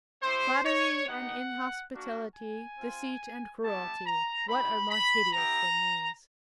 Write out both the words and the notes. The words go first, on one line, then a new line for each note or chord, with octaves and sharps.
Flattery and inhospitality, deceit and cruelty,--what are more hideous than these?
C4 E4 G4 C5
C#5
B3 D#4 G4 F#5
A#3 D4 F#4
G#5
C4 F4
G3 B3 E4 G4 A5
A#5
C4 D#4 G4 B5
B5
B3 E4 G4 A#5